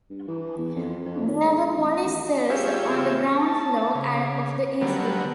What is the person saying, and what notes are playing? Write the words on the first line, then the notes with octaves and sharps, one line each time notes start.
There were police cells on the ground floor of the east wing.
G2
E3
E2
F2
F2
D#3
G#2
A1
D#2
F4 G4 G#4 C#5 E5
A5
C#3
D3 F#3 G3 A#3 B3